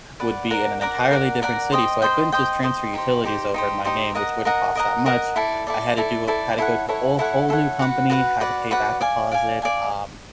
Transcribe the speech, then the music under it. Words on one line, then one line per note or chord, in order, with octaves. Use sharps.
would be in an entirely different city, so, I couldn't just transfer utilities over in my name, which wouldn't cost that much. I had to do a had to go to a whole new company, had to pay that deposit, um,
B4 D5 F#5
A#4 D5 F#5 A#5
A#4 D5 F#5 A#5
A#4 D5 F#5 A#5
A#4 D5 F#5 A#5
C5 D#5 G5
C5 D#5 G5
C5 D#5 G5
C5 D#5 G5
D#4 G4 C5
D#4 G4 C5
D#4 G4 C5
D#4 G4 C5
A#4 D#5 F#5 A#5
A#4 D#5 F#5 A#5
A#4 D#5 F#5 A#5
A#4 D#5 F#5 A#5
E4 A4 D5
E4 A4 D5
E4 A4 D5
E4 A4 D5
E4 A4 C#5 F#5
E4 A4 C#5 F#5
E4 A4 C#5 F#5
E4 A4 C#5 F#5
F#4 B4 D5 F#5
F#4 B4 D5 F#5
F#4 B4 D5 F#5
F#4 B4 D5 F#5
D5 F5 G#5
D5 F5 G#5
D5 F5 G#5